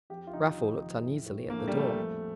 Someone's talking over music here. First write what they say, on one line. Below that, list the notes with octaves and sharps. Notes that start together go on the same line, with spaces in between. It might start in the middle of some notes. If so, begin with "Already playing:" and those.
Raffle looked uneasily at the door.
F2 G4
F4
F1 D#4
D#3
F1
A2
A2
A#1 A#3
A3
G3
A#1 A3
F2